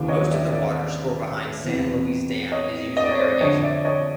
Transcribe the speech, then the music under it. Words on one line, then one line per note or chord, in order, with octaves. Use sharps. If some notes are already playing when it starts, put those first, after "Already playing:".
Most of the water stored behind San Luis Dam is used for irrigation.
Already playing: D#2 C#3 E3
C#5 D#5
D5 E5
D5 E5
E2 C3 E3
C#5 D#5
D#5
D5
C#5
C5 D5
F2 D3 C#5 D#5
D5 E5
C#5 D#5